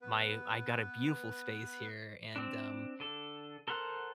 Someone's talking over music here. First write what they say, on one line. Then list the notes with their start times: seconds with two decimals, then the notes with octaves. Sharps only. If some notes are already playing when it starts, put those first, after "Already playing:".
my I got a beautiful space here, and, um,
0.02 B3 B4
2.36 C4 D4
3.00 D3 A4
3.68 A4 A#4 C5 F#5